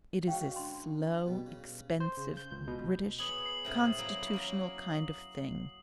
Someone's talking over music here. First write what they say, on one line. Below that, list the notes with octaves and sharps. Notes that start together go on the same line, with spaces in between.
It is a slow, expensive, British, constitutional kind of thing.
G#2 C#3 F#4 F5 G5
D3 C6
B2 G3
C#3
C5
C#3
G6
C#2
B2
B3 G#4 C#5 D#6 F#7
C7
A2 C3 C#4
F#3 A#3 E4
F#3 A#3